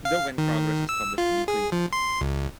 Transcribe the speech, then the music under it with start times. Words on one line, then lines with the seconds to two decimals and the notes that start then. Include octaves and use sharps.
"The Wynne Progress" is published weekly.
0.05 F5
0.38 D#3
0.89 E6
1.18 F4
1.48 G#4
1.72 F3
1.93 C6
2.21 C#2